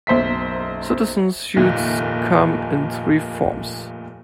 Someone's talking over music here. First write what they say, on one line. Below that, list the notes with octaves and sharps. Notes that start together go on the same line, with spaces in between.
Citizen suits come in three forms.
F#1 B1 C5 E5 B6
F1 D#2 A#2 A3